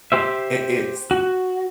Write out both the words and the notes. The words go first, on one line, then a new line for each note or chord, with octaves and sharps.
i it's
G4 C5 E5
F#4